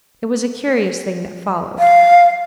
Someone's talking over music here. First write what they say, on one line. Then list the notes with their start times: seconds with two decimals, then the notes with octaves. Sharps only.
It was a curious thing that followed.
1.79 F5